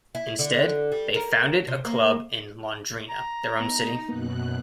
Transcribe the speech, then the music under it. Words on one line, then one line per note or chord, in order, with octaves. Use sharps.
Instead, they founded a club in Londrina, their own city.
E4
D3
G3
A#4
C3
A#3
A#5
B3 D#4
F#2 B2 A#3 B3 F#6